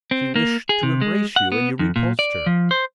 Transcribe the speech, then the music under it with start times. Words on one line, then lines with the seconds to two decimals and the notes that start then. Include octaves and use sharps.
"She wished to embrace you, and you repulsed her."
0.11 C4
0.36 A#3
0.69 G#4
0.83 C3
1.01 G#3
1.36 F#5
1.52 B3
1.79 F2
1.96 A#2
2.19 D5
2.46 F3
2.71 C5